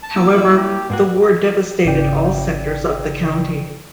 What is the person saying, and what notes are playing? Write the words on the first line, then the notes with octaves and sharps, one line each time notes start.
However, the war devastated all sectors of the county.
A5
A#3 D6 E6
G3 E4
G4
G#2 A#3 F#4 B4
G#1 C#3 D5 G5